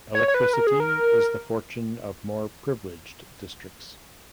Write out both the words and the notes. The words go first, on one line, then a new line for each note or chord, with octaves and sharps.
Electricity is the fortune of more privileged districts.
C#5
C#5
B4
A#4
G#4
A#4